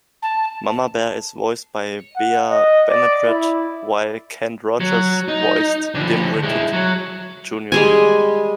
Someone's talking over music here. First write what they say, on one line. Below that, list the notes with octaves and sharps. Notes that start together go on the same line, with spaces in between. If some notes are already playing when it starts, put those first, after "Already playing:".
Mama Bear is voiced by Bea Benaderet, while Kent Rogers voiced dim-witted Junior.
A5
F#5
D#5
D5
E4
F#3
D#4
D3 F3
G#3 E4
F#3
G3 G#3 G#5